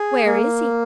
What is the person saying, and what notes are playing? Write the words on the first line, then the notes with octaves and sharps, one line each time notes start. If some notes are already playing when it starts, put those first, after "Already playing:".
"Where is he?"
Already playing: G#4
A#3